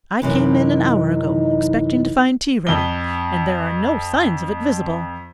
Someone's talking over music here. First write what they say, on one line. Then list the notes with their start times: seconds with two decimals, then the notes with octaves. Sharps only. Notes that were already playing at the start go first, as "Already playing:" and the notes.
I came in an hour ago, expecting to find tea ready, and there are no signs of it visible.
0.22 F#2 C3 E3 D#4
2.67 F2 G7